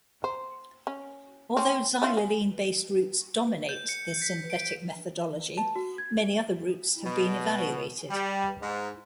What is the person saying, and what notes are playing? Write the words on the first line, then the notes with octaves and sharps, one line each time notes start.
Although xylylene-based routes dominate the synthetic methodology, many other routes have been evaluated.
C5
C#4
C4 C#4
C#4 E4 F4
G#4
G6
C#7
B6
D7
A5
F#4
G#6
B2
G3
G#2